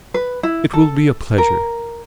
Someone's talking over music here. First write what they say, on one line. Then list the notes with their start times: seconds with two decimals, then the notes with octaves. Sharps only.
"It will be a pleasure."
0.14 B4
0.43 E4
0.73 A4
1.38 A#4